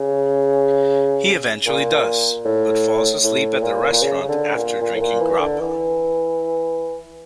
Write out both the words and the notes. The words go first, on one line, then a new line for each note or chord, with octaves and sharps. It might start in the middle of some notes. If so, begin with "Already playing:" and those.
He eventually does, but falls asleep at the restaurant after drinking grappa.
Already playing: C#3
A#2
A2
A2
A#2
A#2
C#3
C#3
D3
A#2
A#2
A2
A#2
E3
D3
E3